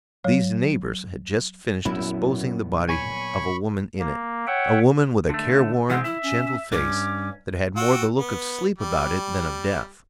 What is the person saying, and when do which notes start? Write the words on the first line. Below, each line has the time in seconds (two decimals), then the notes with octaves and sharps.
These neighbors had just finished disposing the body of a woman in it--a woman with a careworn, gentle face that had more the look of sleep about it than of death.
0.24 F#3 C#5
1.85 F#2 A#2 F#3 B3 E4
2.89 C#5 G#5 B5 C#6
3.99 A#3
4.47 C#5 E5 F#5 G5
5.30 D3 A3
5.90 E3 G#3 C4 F#5
6.04 E4 E5
6.23 C#4
6.72 G2 C#4 D6
7.76 F#4 G5 E6
8.19 B3
8.78 G3